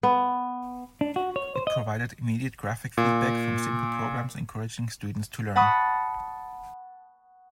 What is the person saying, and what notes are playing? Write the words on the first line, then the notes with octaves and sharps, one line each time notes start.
It provided immediate graphic feedback from simple programs encouraging students to learn.
B3
D4
F#4
C#5
C5
D#5
A#2
F#5 A5 B5 C#6 D#6